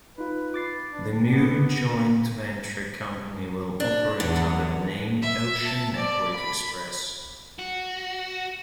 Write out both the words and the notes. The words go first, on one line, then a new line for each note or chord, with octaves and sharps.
The new joint venture company will operate under the name "Ocean Network Express".
D#4 F4 B4
D6 A6 C7
D4
B3
D4
E2 D3
E5
A5
D5
B5
F#4